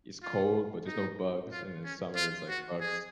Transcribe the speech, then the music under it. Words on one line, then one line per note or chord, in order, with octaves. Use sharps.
is cold, but there's no bugs, and then summer is like bugs.
F4
D#4
F4
C#4
F4
F#4
G#4